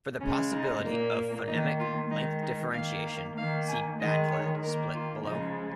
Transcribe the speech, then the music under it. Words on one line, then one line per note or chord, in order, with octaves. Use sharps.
For the possibility of phonemic length differentiation, see "bad-lad" split, below.
C#3 G#3 C#4
D#4
A#2 A#3
D#3 A#3 D#4
F4
D#3 G#3 D#4
D#4
D#3 A#3 F5
F5
D#3 A#3 F5
G#5
D#3 G#3 D#5
C#5
D#3 A#3 A#4
F4
C#3 F3 G#3 D#4